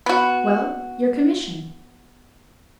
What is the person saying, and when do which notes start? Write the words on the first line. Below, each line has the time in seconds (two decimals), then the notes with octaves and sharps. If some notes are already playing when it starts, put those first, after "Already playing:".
"Well,--your commission?"
0.06 B3 F#4